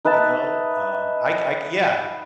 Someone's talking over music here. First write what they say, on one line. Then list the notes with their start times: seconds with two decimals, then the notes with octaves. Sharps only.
you know? Um, I c I c yeah,
0.05 D#4 B4 E5 A5